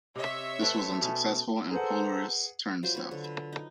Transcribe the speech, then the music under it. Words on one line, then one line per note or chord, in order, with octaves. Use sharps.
This was unsuccessful and "Polaris" turned south.
C3 C#5 D#5 E5
A3 C4 A4 B4
B2 C#4
G#4 A4 B4 C5 F#5 A#5
F#3 F4 C5
B4 C#5
D3
B4
D#4